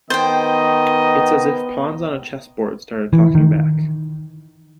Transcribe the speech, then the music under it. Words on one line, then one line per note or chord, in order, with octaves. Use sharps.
It's as if pawns on a chessboard started talking back.
D#3 B3 C5 D#5 G5
E3
D#3